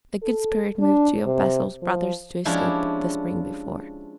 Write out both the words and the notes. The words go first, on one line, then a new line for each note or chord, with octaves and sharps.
The good spirit moved two of Bazil's brothers to escape the spring before.
A4
D4
C3
F3
F3 G#3 C#4 D4 E4 G4